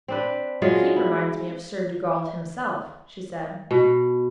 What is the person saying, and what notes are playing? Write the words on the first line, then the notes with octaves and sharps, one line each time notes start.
"He reminds me of Sir Dugald himself," she said.
C4 D4 B4
F#3 G#3 F4 G#4
E4
B2